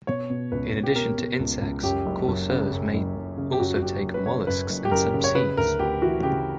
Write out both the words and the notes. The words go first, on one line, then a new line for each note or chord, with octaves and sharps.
In addition to insects, coursers may also take molluscs and some seeds.
B2 C#5
B2
C#2 B4
C#2
G4
B2 A#4
B2
C#2
C#2
F#2 G4
F#1
F#1
C#3
F#2
F#1
F#1
C#3
G4
F#2 F#4
F#4
F#1 G4
F#1
B4
C#3 C#5
F#2 B4
F#1
G4
F#1 A#4
C#3
C#5
C#3 B4
D2 A#4
D2 G4
E3 F#4
C#3 G4